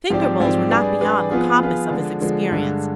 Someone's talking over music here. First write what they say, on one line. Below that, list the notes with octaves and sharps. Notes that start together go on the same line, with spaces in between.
Finger-bowls were not beyond the compass of his experience.
G#2 F3 C4 G4 D5
G#2 F3 C4 G4 D5
G3 D4 G#4 B4 D5
G3 D4 G#4 B4 D5
F3 B3 F4 G#4 B4
F3 B3 F4 G#4 B4
D3 F3 G#3
D3 F3 G#3
G2 D3 G#3